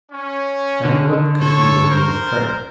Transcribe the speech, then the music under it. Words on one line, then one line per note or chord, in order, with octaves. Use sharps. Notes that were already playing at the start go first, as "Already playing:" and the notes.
Now, what could he believe of her?
C#4
D3
A4 C#5 C#6
A#4 C5